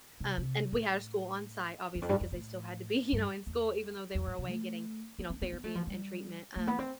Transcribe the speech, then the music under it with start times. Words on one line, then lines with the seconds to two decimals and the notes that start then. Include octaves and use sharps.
um, and we had a school on-site, obviously, 'cause they still had to be, you know, in school even though they were away getting, you know, therapy and and treatment, um,
0.20 C3
0.38 C3
0.72 A2
1.95 E2
2.02 F2
2.09 G2
2.21 F2
2.32 A2
3.12 G2
3.47 E2
4.15 E2
4.27 G2
4.38 B2
4.49 A3
5.19 B3
5.30 C4
5.42 B3
5.52 B3
5.64 A3
5.75 F3
5.87 G3
6.56 A3
6.67 B3
6.79 C4